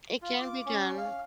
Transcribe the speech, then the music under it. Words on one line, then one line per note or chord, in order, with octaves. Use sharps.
It can be done.
F4
D6
C#4
F5